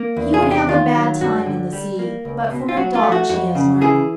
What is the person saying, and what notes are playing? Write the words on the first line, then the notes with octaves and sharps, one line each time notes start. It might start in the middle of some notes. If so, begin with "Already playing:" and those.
He would have a bad time in the sea, but for a dodge he has learnt.
Already playing: A#3
E2
G#4
C3
G4
D#3 F4
F#3
G2 F#4
D3
G3
A#3
C#2
B2
F4
F#3 F#4
F4
A3
F#4
F2 F#4
C#3
E3 G#4